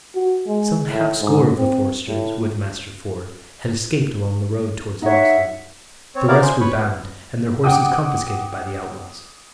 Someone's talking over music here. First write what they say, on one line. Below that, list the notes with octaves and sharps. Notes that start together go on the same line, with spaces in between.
Some half-score of the foresters, with Master Ford, had escaped along the road towards Locksley: the rest were bound, and their horses confiscated by the outlaws.
F#4
G#3
A2
G#2
C4
A2
D#4 C#5 E5 F#5
C4 C#5
B3 E4 A#4 D5 F5
G#4 C5
B4 C#5 B5 C#6
B3
F#5 G5 D6 D#6